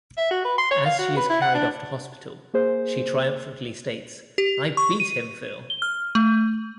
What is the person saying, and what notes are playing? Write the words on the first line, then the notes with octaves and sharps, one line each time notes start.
As she is carried off to hospital, she triumphantly states: I beat him, Phil.
E5
F#4
B4
C6
C#5
F5
F#4
B4
E4
F#5
D4
A#3 G#4 C5
G4
C#6
D#7
G7
F6
A3